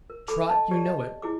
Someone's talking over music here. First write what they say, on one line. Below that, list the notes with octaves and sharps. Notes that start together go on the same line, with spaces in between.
Trot, you know it.'
A#4
A4 B5 D6
D#5 A5
G4 C#5 D5
D#5
E4 G#4 D6